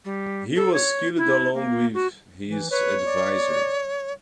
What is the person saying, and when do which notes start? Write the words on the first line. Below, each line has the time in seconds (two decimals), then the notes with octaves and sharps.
He was killed along with his adviser.
0.05 G3
0.56 A4
0.73 C#5
1.17 E4
1.53 A#3
1.94 F#4
2.47 E3
2.70 B4 C#5
3.06 D5